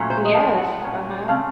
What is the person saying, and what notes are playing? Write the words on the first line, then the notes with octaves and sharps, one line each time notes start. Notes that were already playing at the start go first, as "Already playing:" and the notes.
Yes, uh-huh.
Already playing: A#2 F#3 A3 C#4
C5
D#5
A2 F3
F#5
F#5
A#2 F#3 A#3 C#4
C#3 A3 C4 F5